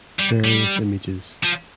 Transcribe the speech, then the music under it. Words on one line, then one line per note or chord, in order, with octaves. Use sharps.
Various images.
G3
G3
F3